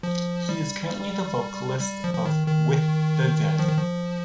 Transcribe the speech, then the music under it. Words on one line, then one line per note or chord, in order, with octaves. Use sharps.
He is currently the vocalist of With the Dead.
F3
G3
G3
F3
F3
D#3
D#3
F3
D#3
F3